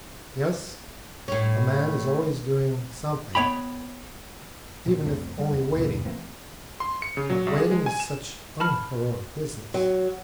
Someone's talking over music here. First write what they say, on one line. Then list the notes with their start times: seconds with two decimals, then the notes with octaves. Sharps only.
"Yes, a man is always doing something, even if only waiting; but waiting is such unheroic business."
1.28 A2 C#4
3.35 B3 C#5 G5 B5
4.86 E1 A#2 C#4
5.05 C2 F2 A3 C4
5.39 G3
5.52 E2 B3
5.76 D#2 B2 D3
6.05 E3 A3 A#3 C4
6.80 C6
7.02 C#7
7.17 C#3
7.30 F#3
7.47 C2
7.58 G#4
7.71 G#3
7.86 G#5
8.00 E7
8.60 A5 B5 F6
9.74 F#3